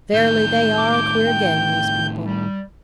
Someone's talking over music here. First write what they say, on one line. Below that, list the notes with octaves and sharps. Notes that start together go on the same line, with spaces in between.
Verily, they are a queer gang, these people.
A2 D#3 G6
D6
G5
G3